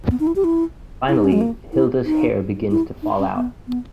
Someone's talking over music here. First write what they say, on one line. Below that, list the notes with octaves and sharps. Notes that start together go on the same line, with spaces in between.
Finally, Hilda's hair begins to fall out.
B3
D#4
E4
G4
E4
E4
D#4
C#4
G#3
A#3
E4
D#4
E4
D#4
C#4
B3
B3